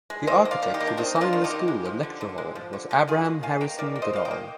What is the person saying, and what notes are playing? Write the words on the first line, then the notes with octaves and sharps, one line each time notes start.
The architect who designed the school and lecture hall was Abraham Harrison Goodall.
G#3
D#3 C5 D#5
A#3
D5 F5
D#3
D#4 G4
A#3
D4
D#3 C4 D#4
A#3
D4 F4
D#3
D#4 G4
A#3
G#3
F3
D3
D3
G#3
F3
D3
D3
D#3 F4 G#4
A#3
D#3 F5 G#5
A#3 G5 A#5
D#3 A#4 D5
A#3
C5 D#5
D#3 F5
D#5 G5
A#3